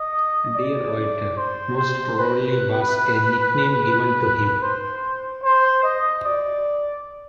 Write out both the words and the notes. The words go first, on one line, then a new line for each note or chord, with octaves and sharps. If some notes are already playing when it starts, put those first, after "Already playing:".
"De Ruyter" most probably was a nickname given to him.
Already playing: D#5
D5
C5
C5
B4
C5
C5
D#5
D5